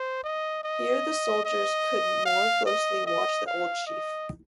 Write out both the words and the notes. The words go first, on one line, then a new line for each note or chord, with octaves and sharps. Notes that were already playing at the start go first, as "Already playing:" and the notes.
Here the soldiers could more closely watch the old chief.
Already playing: C5
D#5
D#5
D#5
F5
D#5
D#5
F5
D#5